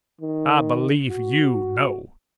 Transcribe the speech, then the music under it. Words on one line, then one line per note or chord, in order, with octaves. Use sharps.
I believe you know.
D#3
F#4